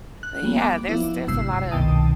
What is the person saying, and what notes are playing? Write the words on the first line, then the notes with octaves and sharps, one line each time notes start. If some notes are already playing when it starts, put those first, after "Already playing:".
but, yeah, there's there's a lotta
F#6
F3 G3 A#3 B3
D6
F3 B3 E4
G#1 G2 C3 E6 C7
C2 B2 D#3 G5 A5 D#6